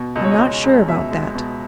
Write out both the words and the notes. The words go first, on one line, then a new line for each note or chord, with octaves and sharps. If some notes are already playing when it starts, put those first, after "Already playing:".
"I'm not sure about that."
Already playing: B2
C#2 D#5
C#5
D#5
G#3
C#2
B2 E5
G#3
B2